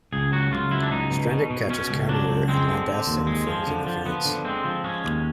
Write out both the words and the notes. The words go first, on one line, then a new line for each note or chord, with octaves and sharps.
Strannik catches Kammerer and lambastes him for his interference.
C#2 G#4
F#3 F#4
C#2 F4
F#3 E4
D4
C#2 D#4
B2
B2
B2
B2 C#4
C#2
F#3 D4
C#2
G#3 C4
D3
D3
D#2
G#3
F3
D3
F3
F3 B3
D3
G#3 C4
F3
G#3 C#4
D#2